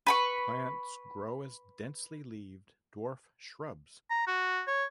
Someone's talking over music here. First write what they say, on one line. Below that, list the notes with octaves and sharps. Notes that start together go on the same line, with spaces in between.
Plants grow as densely leaved dwarf shrubs.
B4 B5 C#6
A#5
F#4
C#5